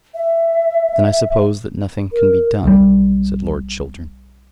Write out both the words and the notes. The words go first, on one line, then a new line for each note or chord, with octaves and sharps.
"Then I suppose that nothing can be done," said Lord Chiltern.
E5
A#4
B1 G3